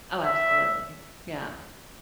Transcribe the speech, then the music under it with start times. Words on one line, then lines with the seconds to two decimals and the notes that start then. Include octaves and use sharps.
Oh absolutely, yeah.
0.24 E5